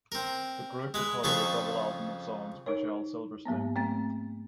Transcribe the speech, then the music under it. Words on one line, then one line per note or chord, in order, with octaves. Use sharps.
The group recorded a double album of songs by Shel Silverstein.
C4 A#4
G#3 B4
F2 C#3 F4 A4 B4 C#6
D#4 A#4 C#5
G#2 F#3 A#3 B3
A3 C4 A6